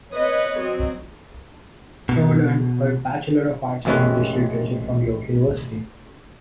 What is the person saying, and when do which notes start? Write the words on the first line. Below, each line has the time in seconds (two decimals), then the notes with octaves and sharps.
Todd earned her Bachelor of Arts in English literature from York University.
0.11 C4 B4 C#5 D#5
0.57 F#3 C4 D#5
2.09 B2
3.85 A1 F#2 C3 G#3 C#4 B4